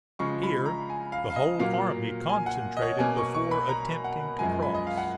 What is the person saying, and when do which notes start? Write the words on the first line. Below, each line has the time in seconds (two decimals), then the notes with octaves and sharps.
Here the whole army concentrated before attempting to cross.
0.19 C#3 F3 G#3 C#6
0.43 B5
0.66 A#5
0.90 G#5
1.12 F5
1.30 F5
1.36 D#5
1.59 A#2 F#3 A#3 F5
2.29 G#5
2.46 F#5
2.77 D#5
2.82 C#5
2.99 B2 A#3 G#5
3.17 C#6
3.34 C#6
3.51 B5
3.69 A#5
4.04 F#5
4.39 F#2 F3 G#3 G#5
4.62 B5
4.74 D#5
4.87 F5
4.98 F#5